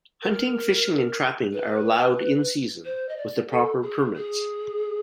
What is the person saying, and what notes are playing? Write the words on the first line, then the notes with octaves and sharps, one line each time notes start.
Hunting, fishing and trapping are allowed in-season with the proper permits.
A#4
B4
C5
D#5
D5
A4
G#4
G#4